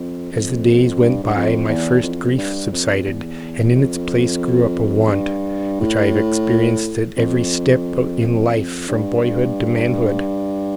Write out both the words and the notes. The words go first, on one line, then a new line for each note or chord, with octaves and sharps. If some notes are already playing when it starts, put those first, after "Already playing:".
As the days went by my first grief subsided, and in its place grew up a want which I have experienced at every step in life from boyhood to manhood.
Already playing: F2
F2
G2
G2
F2
E2
F2
G2
F2
E2
E2
F2
F2
G2
A2
F2
F2
G2
G2